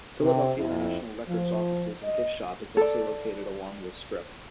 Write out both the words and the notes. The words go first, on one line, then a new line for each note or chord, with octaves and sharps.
Philadelphia International Records' offices and gift shop is also located along this strip.
C3
F2 E4
F3
D#5
A4 D5